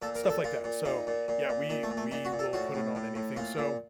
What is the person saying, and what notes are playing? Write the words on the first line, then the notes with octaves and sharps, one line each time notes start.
stuff like that, so, yeah, we we will put it on anything, so
A#2 A4
A#4
A#2
A4
A#2 F4
A#2
A#2 D#4
A#2
A#2
A#2
A#2 D#4
A3
A#2
A3
A#2 D#4
F#4
A#2
A4
A2 F#4
A2
A2
A2
A#2 F4
A#2